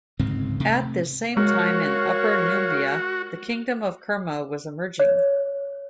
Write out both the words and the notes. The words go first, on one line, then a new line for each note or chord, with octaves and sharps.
At this same time in Upper Nubia the Kingdom of Kerma was emerging.
D1 G#2 C#3 C4
C3 A3
G#3 F#4 A#4 C#5 F5
C#5